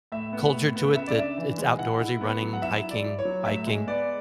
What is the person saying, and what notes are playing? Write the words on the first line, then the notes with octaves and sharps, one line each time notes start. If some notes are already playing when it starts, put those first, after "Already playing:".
culture to it, that it's outdoorsy, running, hiking, biking,
A2 E5
B3
A2
B3
C#3 E5
D5
D4 E5
E3
G#3
E4 F#5
E4
B3
F#3
F#5
E4 E5
E4
D5
E4
C#5
F#3
A2 E5
G#3
B3 D5